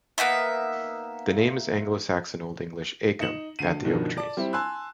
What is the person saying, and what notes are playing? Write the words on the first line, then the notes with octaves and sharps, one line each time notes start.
The name is Anglo-Saxon Old English "acum", 'at the oak trees'.
A#3 B3 D#4 E5
D#4 C#7 E7 F#7
D2 C7 D#7
G2 B2 D#3 F3 F#3
D5 A5 D6
G3 C4 E4
G#5 A5 C6 E6 F#6